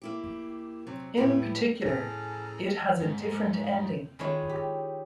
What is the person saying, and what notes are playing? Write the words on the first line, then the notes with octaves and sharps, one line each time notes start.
In particular it has a different ending.
A#3 E4 G4
C3 F#3 C4
D2 A2 G3 E4 B4
A2 E3 C#4 G#4 A4 A#5
G#2
D#3 G#3 E4 F4 C#5
G4